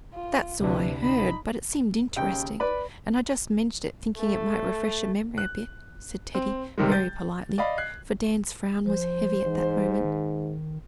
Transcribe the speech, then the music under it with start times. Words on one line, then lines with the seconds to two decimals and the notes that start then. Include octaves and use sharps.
'That's all I heard; but it seemed interesting, and I just mentioned it, thinking it might refresh your memory a bit,' said Teddy, very politely; for Dan's frown was heavy at that moment.
0.14 F4
0.61 D2 C3 D4 E4 B4
0.99 D#4 B5
2.16 D#2 C#3 G5
2.60 B4 D5 B5
4.17 A3
5.38 F#6
6.35 C4
6.78 C3 D#3 G3 G#3
6.92 G6 A6
7.58 D5 D#5 F5 B5
7.78 F#6 G#6 C7
8.86 F3 C5
9.46 G#2 E3
10.04 D#3